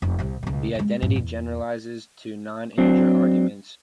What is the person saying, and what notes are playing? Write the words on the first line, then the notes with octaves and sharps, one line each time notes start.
The identity generalizes to non-integer arguments.
F1
C2 C3
C#2 B2
G#3 C4
A1 G2
E2
F#3 C4 D4